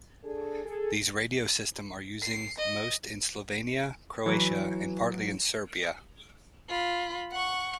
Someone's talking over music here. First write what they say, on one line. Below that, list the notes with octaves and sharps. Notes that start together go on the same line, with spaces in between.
These radio system are using most in Slovenia, Croatia and partly in Serbia.
D4 G#4 A4
G#4 A4
C7
D#5
E3 F#3
F4 B5
F#5 C#6